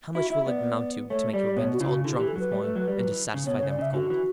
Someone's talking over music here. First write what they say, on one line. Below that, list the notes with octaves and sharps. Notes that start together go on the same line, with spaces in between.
"How much will it amount to, to make your bandits all drunk with wine, and to satisfy them with gold?"
E4 F#4
E4 E5
B3 D5
A3 C#5
G3 D5
B2 C#5
F#4
C#3 E4
F#4
D3 E4
G4
E3
A4
F#3 B4
G3
A3
F#3
G3
F#3
E3
C#3
B2 C#5
C#5
C#3
D5
C#3 E5
D3 F#4
E3